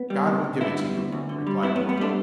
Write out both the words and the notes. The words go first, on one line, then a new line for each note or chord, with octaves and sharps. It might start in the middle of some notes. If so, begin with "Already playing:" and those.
"God will give it to you," replied the monk.
Already playing: B3
G3
D2
D2
D3 B3 E4
G3
D2
D2
D3
G3
A2 B3 E4
B3
G3
B3
G3 A3 D4